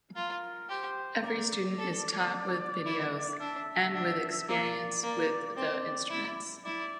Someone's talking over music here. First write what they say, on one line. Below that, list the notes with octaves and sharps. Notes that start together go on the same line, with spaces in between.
Every student is taught with videos, and with experience with the instruments.
F4 A#4
G4 C5
A#4 D5
A4
E4
D4 E5
D4
A#3 D5
A#3
C4 D5
E4
E4 D5